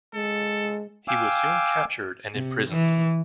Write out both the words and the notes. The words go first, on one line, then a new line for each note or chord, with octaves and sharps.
He was soon captured and imprisoned.
G#3 A4
F5 G5 G#5 D6 E6
C3
E3